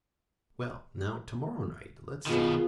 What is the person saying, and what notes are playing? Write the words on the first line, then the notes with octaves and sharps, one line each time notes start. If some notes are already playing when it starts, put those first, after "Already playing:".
Well, now, to-morrow night, let's see.
B2 D#3 B3 F4 G#4